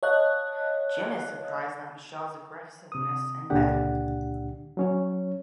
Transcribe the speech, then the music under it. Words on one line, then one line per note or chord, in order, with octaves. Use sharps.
Jim is surprised at Michelle's aggressiveness in bed.
C#5 D#5 F5 A5 F#6
C3 D#6
C#2 A#2 D3 D4 G4 F#5
F#3 C#4 C#5